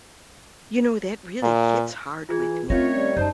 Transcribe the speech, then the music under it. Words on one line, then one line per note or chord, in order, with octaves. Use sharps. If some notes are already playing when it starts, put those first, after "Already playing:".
you know, that really hits hard with me.
A#2
E3 F4 G#4 G#6
D#3 A3 C4 C#4 F4 C#5 A#6
G3
F#2 D#4 C5 A5 G6